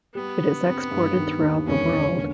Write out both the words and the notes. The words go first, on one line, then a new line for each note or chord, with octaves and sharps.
It is exported throughout the world.
G3 B3
D3
C4
G2
D#3
D#2
E1 C#4
E1
D3